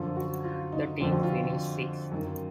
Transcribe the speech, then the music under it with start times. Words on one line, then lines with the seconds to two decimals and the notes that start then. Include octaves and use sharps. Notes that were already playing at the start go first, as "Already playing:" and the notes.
The team finished sixth.
Already playing: F#2 D3 F3 F4
0.17 F#4
0.44 F4
0.72 D#4
1.01 F2 D3 F3 F4
1.12 F#4
1.23 F4
2.12 F#2 D#3